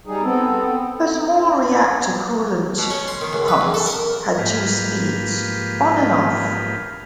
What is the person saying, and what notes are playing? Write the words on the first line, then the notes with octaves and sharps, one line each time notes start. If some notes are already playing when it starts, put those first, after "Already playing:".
Her small reactor coolant pumps had two speeds: On and Off.
G3 D#4 G#4
B3 C4 A4
C4
B2
C#4
C6
D#3
C#2
B4
E2
A4
A#4
G#2 F3 A#3 G4 B4 F5